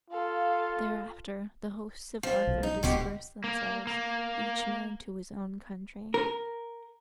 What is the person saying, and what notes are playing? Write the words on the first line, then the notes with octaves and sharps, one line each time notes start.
Thereafter the hosts of Arthur dispersed themselves each man to his own country.
F4 A4 F5
F3
B1
D#4
D1 D2 B2 G#3 G4
A#3
A#3
A#4